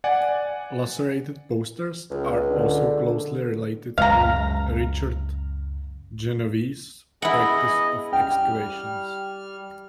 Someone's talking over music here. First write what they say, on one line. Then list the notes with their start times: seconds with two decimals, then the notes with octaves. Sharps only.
Lacerated posters are also closely related to Richard Genovese's practice of excavations.
0.04 D5 F#5 G#5
2.11 C#2
2.48 D3
3.98 C#2 F#2 G#3 F5 A#5
7.22 B3 E4 G#4 D#5 F#5
8.13 G3 G5 F6